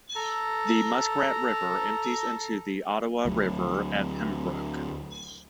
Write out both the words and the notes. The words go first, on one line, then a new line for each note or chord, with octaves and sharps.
The Muskrat River empties into the Ottawa River at Pembroke.
A4 A#5
D2 F#3